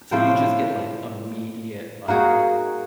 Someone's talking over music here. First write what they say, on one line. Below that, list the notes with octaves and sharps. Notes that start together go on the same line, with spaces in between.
so you just get, like, immediate, like
A2 F3 C5 G5
A#3 D#4 F#4 G#4